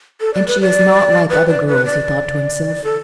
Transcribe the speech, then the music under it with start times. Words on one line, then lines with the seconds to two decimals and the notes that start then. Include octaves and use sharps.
"And she is not like other girls," he thought to himself.
0.21 A4
0.34 D5
0.48 B4
0.61 D5
1.30 B4
1.48 D5
1.68 B4
1.86 D5
2.84 A4